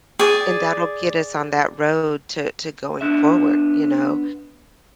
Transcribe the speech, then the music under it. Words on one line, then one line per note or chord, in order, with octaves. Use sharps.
And that'll get us on that road to to going forward, you know?
G#4 D5
B3 D4 E5